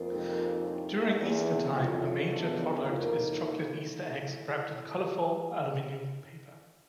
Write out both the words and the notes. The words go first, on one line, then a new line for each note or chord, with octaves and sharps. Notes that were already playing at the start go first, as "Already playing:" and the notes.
During Easter-time, a major product is chocolate Easter eggs wrapped in colorful aluminium paper.
Already playing: F2 A#3 F4 G#4
C3 D#3 G#3 C4
A2 F3 A3 C4
E2 D3 F3 G#3
F2 E3 G#3 C#4 F#4
E2 A3 D4 F4
F2 A2 F3 A#3 D#4